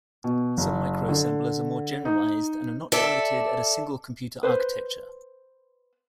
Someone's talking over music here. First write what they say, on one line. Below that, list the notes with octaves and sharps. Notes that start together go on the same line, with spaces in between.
Some microassemblers are more generalized and are not targeted at a single computer architecture.
B2
F#1
D3
D#4
A4 D5 E5
B4 C5